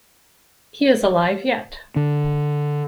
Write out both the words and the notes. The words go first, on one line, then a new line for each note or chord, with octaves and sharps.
He is alive yet.
D3